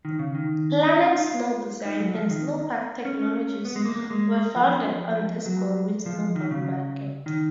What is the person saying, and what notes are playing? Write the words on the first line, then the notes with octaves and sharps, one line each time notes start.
Planet Snow Design and Snow Park Technologies were founded on this growing snowboard market.
D#3
C#3
D#3
C#4
D#4
F4
D#4
F#3
F3
D#3
C#4
B3
G#3
A#3
A#3
G#3
F3
F3
F#3
F3
D#3
C#3
D#3